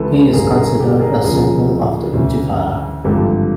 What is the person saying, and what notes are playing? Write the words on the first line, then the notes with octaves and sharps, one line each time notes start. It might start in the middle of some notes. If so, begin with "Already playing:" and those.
He is considered a "symbol of the Intifada".
Already playing: C#2 C3 E3 A4 B4
A1 G2 D3 G#4 A#4
G#4 A#4
G4 A4
G#4 A#4
D2 C#3 F3 G#4 A#4
D2 C#3 E3
G#1 G2 D3 F3 G4 A4